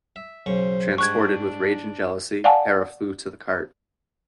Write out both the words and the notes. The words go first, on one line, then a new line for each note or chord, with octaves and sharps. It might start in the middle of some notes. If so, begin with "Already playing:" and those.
Transported with rage and jealousy, Hera flew to the cart.
E5
B1 C#3 C5 C#6
G#2 G3 D4 C#6 F#6 G#6
D5 F5 F#5 G#5 A5